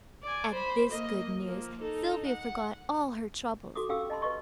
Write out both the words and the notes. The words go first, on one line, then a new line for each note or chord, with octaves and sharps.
At this good news Sylvia forgot all her troubles.
D5 G#5
C5 B5
A#3 D#5
F3 A#3
D#4 A4
F#5
F#4 A4 D6 D#6
C#4 G4 A4 F5 G5 E6
D#5 A5 B5 C6
B4 D#5 C#6